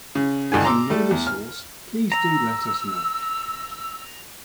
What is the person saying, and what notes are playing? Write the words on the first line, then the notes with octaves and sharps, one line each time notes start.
If you know the source please do let us know.
C#3
C#2 G2 D3 G#5
A#5 C6 D6 E6
G3 A3
E2
F6
A#5 E6